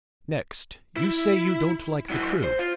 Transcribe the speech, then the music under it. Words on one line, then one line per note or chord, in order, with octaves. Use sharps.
Next, you say you don't like the crew.
E4
F#3 E4
C5
F4